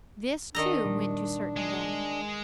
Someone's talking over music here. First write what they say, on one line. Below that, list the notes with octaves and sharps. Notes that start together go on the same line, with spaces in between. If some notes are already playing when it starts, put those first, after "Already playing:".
This, too, went to certain death.
D#3 D4 D#5 A#5 E6
A#2 G3
G#3 G#4